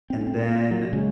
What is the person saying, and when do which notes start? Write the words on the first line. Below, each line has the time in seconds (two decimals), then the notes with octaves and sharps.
And then,
0.10 C4
0.21 C#4
0.27 C4
0.49 A#3
0.71 F#3
0.93 C#3 G#3